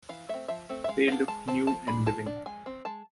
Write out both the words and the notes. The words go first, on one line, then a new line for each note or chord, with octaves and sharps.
They looked new and living.
E3 F5
A3 C4 E5
F3 E5
A3 C4
E5
G#3 F5
B3 D4 F5
G#3 A5
C4 A5
F3 A5
G#3 D4 B5
G#3 A5
D4
G#3 G#5
C4
G#3 A5